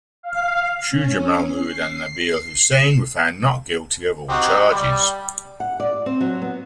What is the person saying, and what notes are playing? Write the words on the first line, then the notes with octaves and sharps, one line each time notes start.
Shujah Mahmood and Nabeel Hussain were found not guilty of all charges.
F5
C#4
C7
C4 D#4 F#4 G4
G3
F#5
D5
C4
F#3
B3